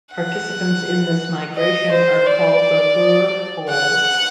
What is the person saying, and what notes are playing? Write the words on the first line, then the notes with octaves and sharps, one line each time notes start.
Participants in this migration are called the Ruhr Poles.
F#5
D#5
C5
D5
F#5